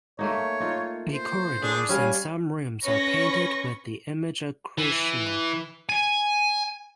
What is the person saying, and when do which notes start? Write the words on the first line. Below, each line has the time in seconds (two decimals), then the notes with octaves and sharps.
The corridors and some rooms are painted with the image of Krishna.
0.19 A3 A#3 D#4 C#5
0.60 D#4 F4
1.13 C5
1.62 D4 G#4
1.89 G3 C#4 F5 G#5
2.83 C#4 B4 C#5 C#6 A#6
4.78 E3
5.89 G#5